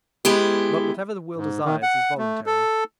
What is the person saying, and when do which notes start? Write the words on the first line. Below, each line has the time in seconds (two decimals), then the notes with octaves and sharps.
But whatever the will desires is voluntary.
0.25 G#3 B3 E4 G4
1.36 G#2
1.65 D#3
1.83 F#5
2.18 A3
2.46 A4